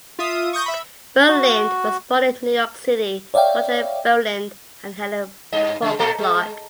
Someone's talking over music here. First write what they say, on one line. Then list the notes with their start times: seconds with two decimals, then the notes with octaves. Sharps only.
Berlind was born in New York City to Roger Berlind and Helen Polk Clark.
0.19 F4 E5 D#6
0.53 C#6 D#6 G6 A#6
0.66 E5 B5
1.29 F#4
3.34 C#5 D5 E5 F5 G5
5.52 G2 D#5
5.82 C#3 G#3
5.99 A#2 A3 A4
6.18 G#3